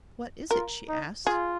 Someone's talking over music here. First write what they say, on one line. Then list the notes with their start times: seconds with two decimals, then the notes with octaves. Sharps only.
"What is it?" she asked.
0.51 F4 A#4
0.89 D#4
1.27 F4 G#4